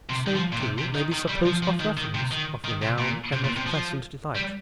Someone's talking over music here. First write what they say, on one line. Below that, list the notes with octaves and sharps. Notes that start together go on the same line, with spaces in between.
The same, too, may be supposed of reverence, of renown, and of pleasant delight.
C3
D#3
F3
A#2
C3
C3
D#3
D#3
G3
F3
F3
D#3
D#3
C3
D#3
D#3
C3
A#2
C3
A#2
C3
F3
G3